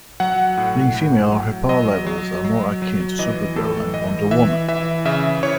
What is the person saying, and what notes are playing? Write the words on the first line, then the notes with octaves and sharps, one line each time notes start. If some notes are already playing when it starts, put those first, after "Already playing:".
Being female, her power levels are more akin to Supergirl and Wonder Woman.
F#3 F#5
A2
A2
F#3
F#3 D#5
F#3
F#3
F#3
E3 D#5
A2 A4
E3 D#5
E3 E5
E3 E5
C#3 E5
E3 C#5